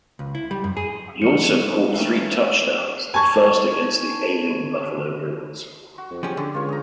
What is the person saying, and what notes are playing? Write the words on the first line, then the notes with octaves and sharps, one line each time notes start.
He also caught three touchdowns, the first against the ailing Buffalo Bills.
C#2
E4
G3
F#2
G#4
F3 C#7
E3 A3 A#3 C4 C#4 D#4
G#5 A5 C#6 G#6
F#4
F2
C#3 F3 C#4 G4
D3
C#2 F4 C#5
G#4 A#5